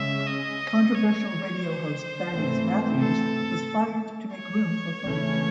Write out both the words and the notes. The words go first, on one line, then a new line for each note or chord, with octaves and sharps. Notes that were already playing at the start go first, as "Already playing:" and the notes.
Controversial radio host Thaddeus Matthews was fired to make room for Ferguson.
Already playing: C#3 G#3 C#4 E5
D#5
C#5
C5
G#2 E3 A3 C4
A4
C#5
C#3 E3 A3 C#4